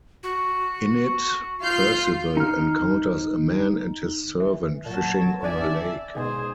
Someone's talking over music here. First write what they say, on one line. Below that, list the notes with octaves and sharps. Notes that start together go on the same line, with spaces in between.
In it, Percival encounters a man and his servant fishing on a lake.
F#4
F4 F6 G6 C7
D#4 F6
E3
A#2 F#3 A5
G#1 D4 D5 E5 G#5
G#2 B2 D#4 G#4 C5